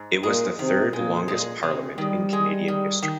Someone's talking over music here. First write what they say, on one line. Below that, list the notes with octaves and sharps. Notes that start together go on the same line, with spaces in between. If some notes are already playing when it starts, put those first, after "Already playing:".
It was the third longest parliament in Canadian history.
Already playing: G#2
A#2 G#3
C3 D#3
A#2 G#3
A#2 G#3
C3 G#3
D#3 G3
G#3
D#3
D#3